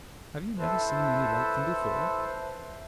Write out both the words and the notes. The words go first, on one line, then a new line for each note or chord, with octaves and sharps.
"Have you never seen any like them before?"
E4 A4 B4 C5